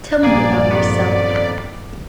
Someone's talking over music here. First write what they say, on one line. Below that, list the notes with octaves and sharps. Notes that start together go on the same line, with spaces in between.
Tell me about yourself.
A#1 G2 A#3 G#4 D5
F2 D#3 B3